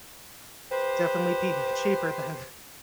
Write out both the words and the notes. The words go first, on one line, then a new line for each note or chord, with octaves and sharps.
definitely be cheaper than
G4 B4 C5